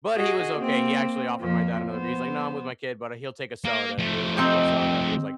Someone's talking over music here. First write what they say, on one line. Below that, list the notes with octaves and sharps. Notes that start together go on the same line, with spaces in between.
But he was okay; he actually offered my dad another bee He's like, "No, I'm with my kid, but he'll take a soda," and he was like, "What soda?" He was like
F#4 G#4 D#5
A#3 C4
F2 F3 A#3
B3 C5
A#3
F3 A3
C4 D#4 G4